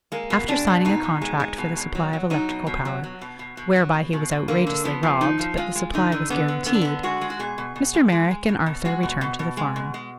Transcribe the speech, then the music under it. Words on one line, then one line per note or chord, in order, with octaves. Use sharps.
After signing a contract for the supply of electrical power, whereby he was outrageously robbed but the supply was guaranteed, Mr. Merrick and Arthur returned to the farm.
G#3 A#3
B2
G#3 D4
B2
B2 D#4
B2
G#3
G#3
B2
B2
F#3
F#3
F#3 D#4
B2
B2
F#3
F#3
B2
B2
B2
F#3
B2
B2
B2
D3 A#3
D3
F3 B3
F3
F3 D#4
F3
G#3 F4
G#3
D3 D#4
D3
D3 B3
D3
D3 B3
D4
D3 B3
G#3 F#4
G#3
F#4
B2 G#4
B2
B2
G#3
G#3
G#3
B2
B2
G#3 F#4
B2
B2
B2
G#3
B2
G#3